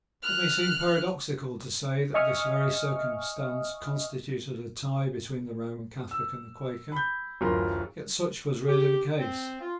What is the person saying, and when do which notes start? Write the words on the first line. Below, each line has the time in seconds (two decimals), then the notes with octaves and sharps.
It may seem paradoxical to say that this very circumstance constituted a tie between the Roman Catholic and the Quaker; yet such was really the case.
0.22 F6 F#6
2.14 D#5 E5 G#5 C#6 D#6 F6
6.11 E6
6.92 B5 G6
7.41 D1 F#2 E3 F4 A#4 C6
8.68 G4
9.19 C4
9.60 F4